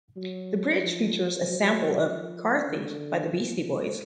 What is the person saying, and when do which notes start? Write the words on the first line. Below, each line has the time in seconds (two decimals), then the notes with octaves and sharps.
The bridge features a sample of "Car Thief" by the Beastie Boys.
0.16 F#3
0.79 F3
1.43 F#3
2.05 F3
2.69 D3
3.30 F3